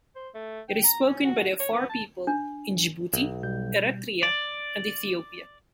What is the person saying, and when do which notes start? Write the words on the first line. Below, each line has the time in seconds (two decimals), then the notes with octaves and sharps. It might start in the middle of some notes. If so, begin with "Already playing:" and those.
It is spoken by the Afar people in Djibouti, Eritrea and Ethiopia.
0.16 C5
0.34 A3
0.69 G5
0.84 A#5
1.07 C#4
1.24 F#4
1.60 C#5
1.72 B3
1.90 A5
2.27 D4
3.14 B1
3.43 B2 G3 G6
4.23 D5